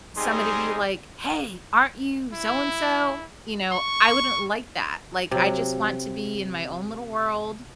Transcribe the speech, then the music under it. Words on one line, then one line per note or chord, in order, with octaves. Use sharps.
somebody be like, "Hey, aren't you so-and-so?" you know, I wouldn't like that, like, I just want to be in my own little world,
G3 G#3 C4 D#4 G#4 C6
E4
C#6
C3 F#3